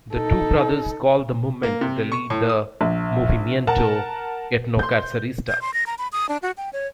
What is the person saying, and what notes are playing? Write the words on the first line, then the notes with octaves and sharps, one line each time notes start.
The two brothers call the movement they lead the "Movimiento Etnocacerista".
D#4 A4
A#3
C3
C#6
A2
D#6
A#1
A#4 F#5 A5
C6 G6
G6
C6
A#6
A#5
B5
D#6
D4
F#4
G5
C#5